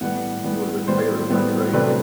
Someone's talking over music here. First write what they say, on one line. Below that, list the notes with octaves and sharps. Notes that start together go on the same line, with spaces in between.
He was a tailor by trade.
A2 G3 B3 F#5
A2 G3 B3
A2 G3 B3 C5
A2 G3 B3
C3 F#3 A3 D4 B4